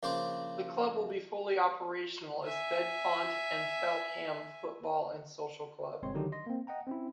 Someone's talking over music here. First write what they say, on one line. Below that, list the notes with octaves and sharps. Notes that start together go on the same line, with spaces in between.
The club will be fully operational as Bedfont and Feltham Football and Social Club.
A#1 C#3 D4 C5 D5 D6
E5 G#5
G1 B2 G#3 C4 C#5 C6
D3 D#3 F#3 D4 D#4 G4
D#5 C6 A#6
A#3 C4
D#5 F#5 G5 A#5
C4 C#4 E4